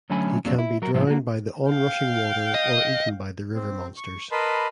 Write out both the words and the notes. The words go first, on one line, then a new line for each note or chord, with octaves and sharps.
He can be drowned by the onrushing water or eaten by the river monsters.
D3 F#3 A3 C#4 G#5 B5
F2 F#3 A#3 C4 D4
E4
F#3 A#4
A2 F3 G3 B3 C4 E4
A#3 F#4
F5 G5
D#5
C4
C#6
A#4 B4 D#5 A5 B5 C6